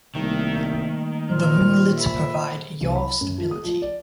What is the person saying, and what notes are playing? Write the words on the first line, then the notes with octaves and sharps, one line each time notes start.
The winglets provide yaw stability.
C2 D#3 G3 A3 A#3 E5
A#2 C5 C6 F6
C5 E5 B5
C2
B5
F#2
F3
D#6
F3
D5